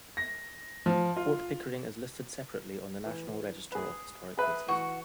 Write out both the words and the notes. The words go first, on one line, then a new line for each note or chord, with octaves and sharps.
Fort Pickering is listed separately on the National Register of Historic Places.
A#6
F3
F4
E3
G#4 B4
G#4 B4 E5
E3 F#4 C#6